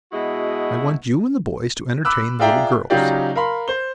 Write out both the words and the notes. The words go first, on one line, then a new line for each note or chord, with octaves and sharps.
I want you and the boys to entertain the little girls.
B2 G#3 E4 F#4 D#5
B5 D6 E6 F#6
F4 G#4 D5 E5 G5 A#5
C#3 F#3 D#4 F4 G4 D5
A#4 F5 B5 C6
C5 G7